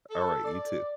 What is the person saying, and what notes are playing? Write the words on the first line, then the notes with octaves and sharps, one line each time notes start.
Alright, you too.
A4
D5